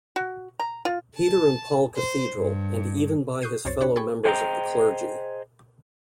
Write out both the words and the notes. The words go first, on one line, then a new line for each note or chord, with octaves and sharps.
Peter and Paul Cathedral, and even by his fellow members of the clergy.
F#4
A#5
F4
A5
C5
G2
C#6 D#6 F#6 G6 C7 D#7
C2 F#2 C5 C#5 A6
D4 F#4 C#5 B5
G#4 A4 G5 B5 C#6
G#4 C5 D#5 G5 A5 A#5